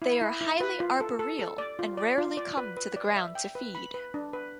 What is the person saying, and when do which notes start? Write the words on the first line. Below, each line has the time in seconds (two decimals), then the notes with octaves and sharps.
They are highly arboreal and rarely come to the ground to feed.
0.02 E4
0.21 E4
0.41 E4
0.60 B4
0.80 F4
1.00 A4
1.19 A4
1.39 A4
1.58 D5
1.79 F4
1.97 D5
2.18 F4
2.37 D5
2.57 B4
2.77 B4
2.96 D5
3.16 E5
3.35 G5
3.55 B4
3.75 B5
3.94 B4
4.14 D4
4.33 B4